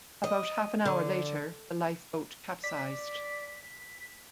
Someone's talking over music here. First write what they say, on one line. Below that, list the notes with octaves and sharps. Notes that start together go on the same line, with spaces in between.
About half an hour later the lifeboat capsized.
D#5
D3
D5 B6